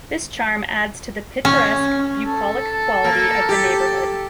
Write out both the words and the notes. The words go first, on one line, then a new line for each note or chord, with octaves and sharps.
This charm adds to the picturesque, bucolic quality of the neighborhood.
C#4
A4 A5
A#3
G4